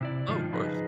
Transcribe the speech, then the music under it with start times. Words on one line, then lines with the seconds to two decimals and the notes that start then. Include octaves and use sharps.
Oh, of course.
0.01 C3 E4 D5
0.28 G#2 D#3 F3 D4 D#4 F4
0.52 C#3 F3 D#4 G#4 B4 D#5